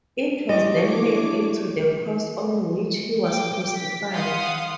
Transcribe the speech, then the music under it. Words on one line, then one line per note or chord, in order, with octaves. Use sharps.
It was then made into the cross on which he was crucified.
D4 E4 G4 C#5 D#5 D6
G5 D6
B6
F5 F#5 C6 D#6